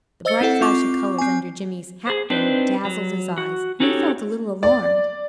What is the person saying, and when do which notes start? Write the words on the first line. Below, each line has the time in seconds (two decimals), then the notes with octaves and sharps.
The bright flash of colours under Jimmy's hat-brim dazzled his eyes, and he felt a little alarmed.
0.25 C5 D#5 E6 A6 C#7 G7
0.41 C4 E4 A4 F#5
0.61 C4 F4 C#6 D6
1.18 C4 G#5
2.07 G#4 C5
2.30 C4 D4 D#4 B4 C5
2.85 F#3
3.38 F#4
3.80 C#4 D#4 F#4 G4 A4 C#5
4.63 D5